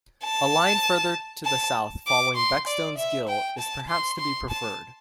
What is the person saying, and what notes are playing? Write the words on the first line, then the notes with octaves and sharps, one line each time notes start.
A line further to the south following Beckstones Gill is perhaps to be preferred.
A5
A5
D6
C6
D5
E5
G5
A5
C6
C6
A5